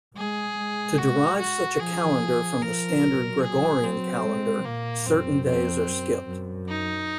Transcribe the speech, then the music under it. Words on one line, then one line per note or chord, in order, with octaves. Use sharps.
To derive such a calendar from the standard Gregorian calendar, certain days are skipped.
G#3 G#4
G#3
F#4
F#4
F3 G#4
F3 A#4
F#3
G#4
F#3 C4
G#3
A#2 A#3
F#2 C4
F2 C4
F#2
F#2
D#4